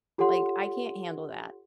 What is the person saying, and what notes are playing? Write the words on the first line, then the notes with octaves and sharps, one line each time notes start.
like, "I can't handle that."
F4 G4 A4 C#5 F#5 C6